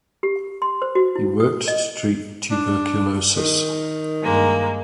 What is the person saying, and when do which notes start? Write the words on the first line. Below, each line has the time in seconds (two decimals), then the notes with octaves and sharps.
He worked to treat tuberculosis.
0.23 G4
0.62 C6
0.82 C5
0.95 F#4
1.16 E4
1.40 D#6
1.68 D#5
2.51 D4
3.36 D#3
4.22 G2 G#3 A#3